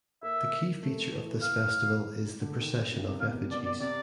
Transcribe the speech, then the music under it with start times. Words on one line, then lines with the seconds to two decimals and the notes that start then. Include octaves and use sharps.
The key feature of this festival is the procession of effigies.
0.23 A#3 E5
0.83 A3
1.12 E3
1.42 F5
2.41 D3
2.61 D#3
2.76 D#3
2.92 C#3
3.06 C3
3.20 B2 F5
3.51 B2 D5
3.65 D5
3.80 C3 D5